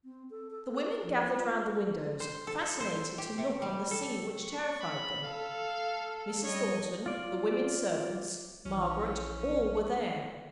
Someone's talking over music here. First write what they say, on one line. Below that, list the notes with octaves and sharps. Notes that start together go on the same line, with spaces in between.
The women gathered round the windows, fascinated to look on the scene which terrified them. Mrs. Thornton, the women-servants, Margaret,--all were there.
C4
A4
A4
B4
F3
F4
C5
A4
C5
G4
C3
G3
A4
C#6
B5
A4 F5
G3 C#5 D#5
F4 D5
A#1 E3 F3 C#4